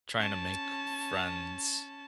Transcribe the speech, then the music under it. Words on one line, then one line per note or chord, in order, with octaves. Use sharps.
trying to make friends
C#4 A5